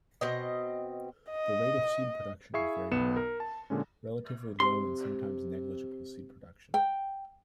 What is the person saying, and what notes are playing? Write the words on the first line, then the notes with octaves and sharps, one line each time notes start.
The rate of seed production is variable: relatively low and sometimes negligible seed production.
B2 C4 D#5
D#5
E4 G#4 E5 F5 C#6 C7
B1 B3 C#7 E7
A#4
A5
A#2 D3 G#3 C#4
C3 C6
G5